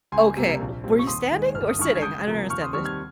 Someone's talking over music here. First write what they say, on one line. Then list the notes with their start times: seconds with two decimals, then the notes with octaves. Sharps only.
okay, w were you standing or sitting? I don't understand this.
0.12 C#2 G#5 C6
0.36 C3 G3 A#3
0.60 A#1
0.84 A#2 G3 C4
0.99 C#6
1.07 D#2 C6 D#6
1.32 D#3 G#3
1.55 G1 F6
1.68 D#6
1.79 G2 D#3 G#3 C#6 F6
1.95 G#6
2.02 C#2 D#6 G6
2.27 C3 F3 A#3
2.50 D#2 C#6 F6
2.61 C6 D#6
2.73 D#3 G3 C4 C#6 F6
2.85 F6 G#6